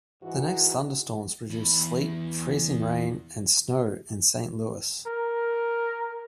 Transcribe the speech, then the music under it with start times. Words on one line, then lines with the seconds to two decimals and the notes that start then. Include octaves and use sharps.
The next day thunderstorms produced sleet, freezing rain, and snow in Saint Louis.
0.22 G#2 E3 F#4
1.50 E2 B5
5.07 A#4